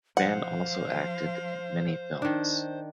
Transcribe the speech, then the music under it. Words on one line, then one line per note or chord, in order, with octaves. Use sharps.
Fan also acted in many films.
F3 C5 F5 F#5
D#3 D4